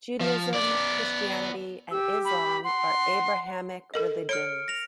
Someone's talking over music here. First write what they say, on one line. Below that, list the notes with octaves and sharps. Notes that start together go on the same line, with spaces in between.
Judaism, Christianity and Islam are Abrahamic religions.
F3
B3 D5
G4 E6
B5
F#5 C6
A4 A#4 D#5
C#5 F6 C#7 D7
A#6 F7